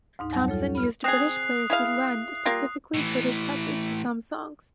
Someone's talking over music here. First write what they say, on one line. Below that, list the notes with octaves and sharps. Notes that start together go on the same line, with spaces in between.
Thompson still used British players to lend specifically British touches to some songs.
D2 G#2 D#4
F2 F#3 G3 F#5
F4 A4 C#5
G4
B5 F6
C4 G#4 D#6 F#6 C7
E4 G#4 F5
G3 A#3 F4
A2 E3